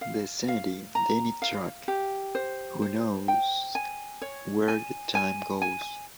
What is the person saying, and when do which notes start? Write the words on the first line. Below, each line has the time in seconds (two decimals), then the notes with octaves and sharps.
The Sandy Denny track, Who Knows Where the Time Goes?
0.01 F5
0.48 F5
0.95 A#5
1.42 F5
1.88 G4
2.35 C5
2.82 C5
3.28 G5
3.75 G#5
4.22 C#5
4.68 G#5
5.15 G#5
5.62 G#5